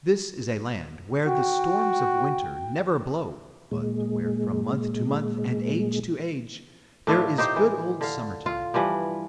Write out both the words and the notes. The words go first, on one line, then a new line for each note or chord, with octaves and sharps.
This is a land where the storms of winter never blow but where from month to month and age to age there is good old summer time.
F#4 G5
A#2 G#3
A2 D4 E4 F4
D#4 G4 C5
E3
D3 F5
F4
G2 E3 F3 G3